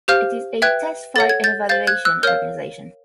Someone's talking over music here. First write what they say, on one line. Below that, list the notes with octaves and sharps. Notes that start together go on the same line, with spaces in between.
It is a test flight and evaluation organisation.
G4 C5 F5 F6 G6
B4 E5 G5 F#6 G#6
A4 C#5 F#5 A6
G#6
G6 A6
C5 F5 G6 A6
F#6 G#6
E6 F#6
A#4 C#5 F5 F6 G6